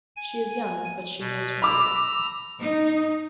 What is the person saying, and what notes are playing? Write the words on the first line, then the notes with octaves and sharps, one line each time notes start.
She is young, but she knows her world.
G#5
B2
A#5 B5 D6 E6
D#4